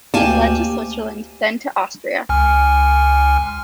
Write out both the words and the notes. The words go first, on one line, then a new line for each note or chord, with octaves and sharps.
He fled to Switzerland, then to Austria.
D2 A#3 G4 D5 F5 G#5 A5
C#2 G#5 F6